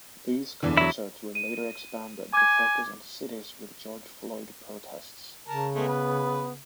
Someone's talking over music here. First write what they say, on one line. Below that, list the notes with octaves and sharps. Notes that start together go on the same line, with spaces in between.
These concerts were later expanded to focus on cities with George Floyd protests.
E2 D3 E3
F#3 E4
D#7
G#5 D6 G#6
C#3 A#4 A5
G#3 A3 B3
B4